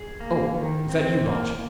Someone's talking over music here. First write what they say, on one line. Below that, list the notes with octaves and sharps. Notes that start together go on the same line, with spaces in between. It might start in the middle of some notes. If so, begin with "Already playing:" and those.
Oh, is that you, Balch?
Already playing: G#4
A#3
D#3
C4
A#3